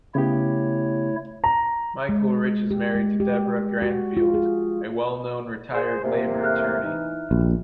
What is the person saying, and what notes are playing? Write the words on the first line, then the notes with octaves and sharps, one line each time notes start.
Michael Rich is married to Debra Granfield, a well-known retired labor attorney.
C#3 A3 B3 E4 G4 C#5
A#5
G#3
G4
G#3
G4
F#4
F4
G#4
G#4 C5
E2 A2 C3 A#3
E5 F6 F#6
E3 D#4
A#1 B2 G3